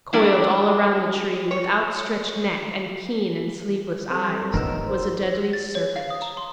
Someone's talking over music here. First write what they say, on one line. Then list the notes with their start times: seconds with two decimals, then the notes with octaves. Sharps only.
Coiled all around the tree, with outstretched neck and keen and sleepless eyes, was a deadly serpent.
0.13 G3 D4 E4
1.51 C#5
4.10 G3 C4 A4
4.54 A2 D#3 B3 D#4 A#4 E6
4.86 C5
5.53 A6
5.75 C#5
5.96 F5
6.10 D#6
6.22 A#5
6.37 C6